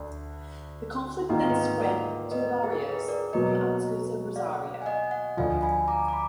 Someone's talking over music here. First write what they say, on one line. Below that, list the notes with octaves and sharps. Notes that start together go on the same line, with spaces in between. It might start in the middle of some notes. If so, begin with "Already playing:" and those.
The conflict then spread to the "barrios" on the outskirts of Rosario.
Already playing: D2 D3 D4
G#2 D#3 A#3 F4 D#5
F5
B4 D#5
A#4 D5
B4 D#5
G#4
A#4
G#4 B4
A#4 D5
B2 F#3 A#3 B4 D#5
D5 F5
G#5
D#5 F#5
D#5 F#5
D2 D3 F3 F5 G#5
G#5 B5
A#5 D6
D6
B5